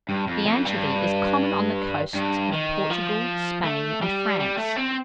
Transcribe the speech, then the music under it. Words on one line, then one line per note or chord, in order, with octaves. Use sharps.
The anchovy is common on the coasts of Portugal, Spain, and France.
G2
F2
F2
G2
G2
D#3
F3
A3
G3
G3
A3
C4